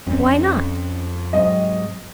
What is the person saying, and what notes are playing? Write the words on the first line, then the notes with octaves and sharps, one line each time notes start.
Why not?
F2 C4 C#4
G#2 C3 F#3 D#5